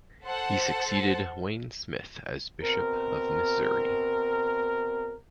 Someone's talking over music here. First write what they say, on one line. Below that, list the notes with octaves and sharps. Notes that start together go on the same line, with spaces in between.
He succeeded Wayne Smith as Bishop of Missouri.
A4 C5 F#5 A5
B2 C4 A#4